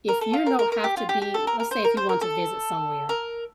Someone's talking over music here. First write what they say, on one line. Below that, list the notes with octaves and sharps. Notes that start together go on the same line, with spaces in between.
if you don't have to be let's say if you want to visit somewhere,
A#4
A4
F4
A#4
A#4
A#4
G4
F4
G4
G4
A4
A#4
A#4
C5
A#4
C5
A#4
A4
A#4